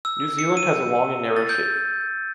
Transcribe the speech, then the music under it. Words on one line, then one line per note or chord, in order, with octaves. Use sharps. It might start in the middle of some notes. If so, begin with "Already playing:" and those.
New Zealand has a long and narrow shape.
E6
C#7
D#7
A6
G6